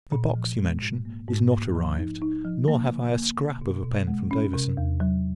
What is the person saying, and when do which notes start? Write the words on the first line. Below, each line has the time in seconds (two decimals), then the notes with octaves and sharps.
The box you mention, is not arrived; nor have I a scrap of a pen from Davison.
0.12 A#2
0.35 F3
0.59 G#3
0.82 G#2
1.05 A#3
1.28 G#2
1.52 A#3
1.75 F3
1.99 D#4
2.22 D#4
2.45 F3
2.68 A#3
2.91 C#3
3.14 A#3
3.38 C#3
3.61 B2
3.84 B2
4.07 G#3
4.31 C#4
4.54 C3
4.77 E2
5.00 F#3